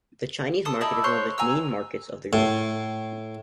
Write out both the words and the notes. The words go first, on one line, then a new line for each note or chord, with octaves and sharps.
The Chinese market is one of the main markets of the Group.
A4 D#6
D#4 E4 A4 D5
C5 C#5 F#6
G#5 A#5 E6
A2